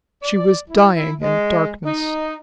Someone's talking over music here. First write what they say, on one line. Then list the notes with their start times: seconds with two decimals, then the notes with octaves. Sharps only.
She was dying in darkness.
0.22 D5
0.70 E4
0.96 E4
1.22 G#3
1.85 D#4